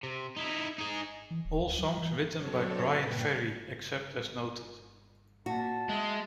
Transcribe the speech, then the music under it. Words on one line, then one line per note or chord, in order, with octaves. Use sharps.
All songs written by Bryan Ferry except as noted.
C3
D#4 E4
D#4 G#4
E3
D1
D2
F#3
E3
F#3 C4 D4 A4 C#5
G2 A#2 B4 G5
A#2 F#4 A5
G#3 E5